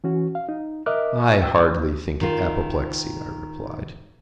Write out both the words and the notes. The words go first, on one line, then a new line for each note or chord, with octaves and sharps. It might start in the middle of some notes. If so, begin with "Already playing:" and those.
"I hardly think it apoplexy," I replied.
E3 C#4 F#4
F5
D#4
A#4 D#5 E5 D6 F6 F#6
C#6
G5 E6
D#3 F4